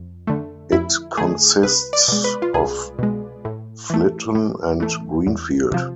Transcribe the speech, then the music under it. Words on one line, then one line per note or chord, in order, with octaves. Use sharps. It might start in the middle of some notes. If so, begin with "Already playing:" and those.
It consists of Flitton and Greenfield.
Already playing: F2
D3 A3
F2 E4
D3 A3 G#4
C2 B4
D5
B2 G#3
B4
F4
C2 G#4
B2 G#3
A2
E3 A3
A2
E3 A3
E2
C3 F3